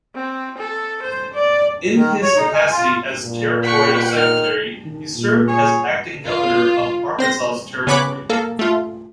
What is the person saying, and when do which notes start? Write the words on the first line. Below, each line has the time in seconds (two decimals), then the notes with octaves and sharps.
In his capacity as territorial secretary, he served as acting Governor of Arkansas Territory.
0.15 C4
0.58 A4
1.03 C5
1.34 D5
1.95 D#3
2.22 C#5
2.36 D#4
2.54 G#5
2.71 F4
3.23 A#2
3.63 F#5 G5 C#6 B6
4.16 D#3 F6
4.85 D#3
5.16 A#2
5.47 G#4 C#5
6.25 F4
7.19 C4 C5 A#6
7.87 C#3 B3 C#5 B5 D6 F#6
8.30 A#3 A4
8.59 A3 F4